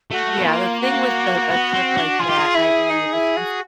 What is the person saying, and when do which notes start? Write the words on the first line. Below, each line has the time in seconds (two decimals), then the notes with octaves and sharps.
Yeah, the thing with the a trip like that, I believe, is ins
0.11 A3 F#4
0.38 B3
0.46 A#3 F4
0.80 F#4
1.50 B3
1.74 C4
1.97 D4
2.20 F4 G#4
2.30 G4
2.39 G#4
2.55 E4
2.90 D#4
3.13 E4
3.37 F#4